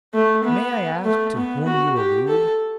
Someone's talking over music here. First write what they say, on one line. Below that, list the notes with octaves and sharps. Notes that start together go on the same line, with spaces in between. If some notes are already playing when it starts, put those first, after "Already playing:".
May I ask to whom you allude?
A3
B3
A3
B3
F#4
G4
A4